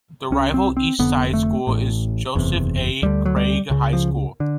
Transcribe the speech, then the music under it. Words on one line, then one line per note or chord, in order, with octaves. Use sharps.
The rival east side school is Joseph A. Craig High School.
C2 C3 C#4
C4
C4
F1 F2 D3 B3
A3
A1 A2
F#1 E2 C3
D2 D3 G3
F#3
G3
C#2 C#3
F3
D3